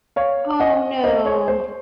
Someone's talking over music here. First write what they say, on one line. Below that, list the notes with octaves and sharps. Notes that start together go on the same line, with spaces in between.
Oh, no.
C#5 F5
D#5 F#5
C5 D#5
C#5
C5